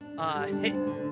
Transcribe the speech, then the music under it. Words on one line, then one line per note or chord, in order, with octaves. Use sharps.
uh, heh
D4
D3
G3
D4
D2
D3